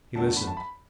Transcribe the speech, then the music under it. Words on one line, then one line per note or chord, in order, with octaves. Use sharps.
He listened.
E2 D3 A3 A5
A5
B5
A5
B5